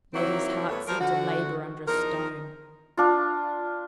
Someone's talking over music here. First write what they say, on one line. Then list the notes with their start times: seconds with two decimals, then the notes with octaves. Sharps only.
Letty's heart seemed to labor under a stone.
0.14 C3 D#3 F#3 A#3 C4 E4
0.68 G2 A3 B3 C#5
0.87 F3 G3 A#4
1.00 D3 F#4
1.86 E2 F3 D#4 A#4
2.97 D4 F4